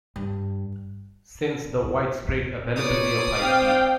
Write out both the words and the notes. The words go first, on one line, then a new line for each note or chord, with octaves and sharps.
Since the widespread availability of high speed.
G2
A#2 B4 C#5 D5 D#6
C4 F5 G5